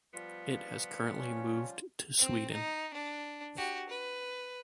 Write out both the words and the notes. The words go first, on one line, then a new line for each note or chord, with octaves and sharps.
It has currently moved to Sweden.
F3 G3 B3 F4
C#4
C4
D#4
D4
F#4 G4
B4